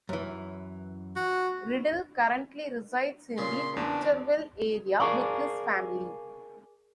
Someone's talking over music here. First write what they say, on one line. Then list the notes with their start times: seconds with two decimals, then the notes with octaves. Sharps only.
Riddle currently resides in the Victorville area with his family.
0.09 F#2 E3
1.16 F#4
3.38 A#2 C#3 C6
3.77 E2 D4
5.00 G#4 A#4 D5 F5 C#6 D6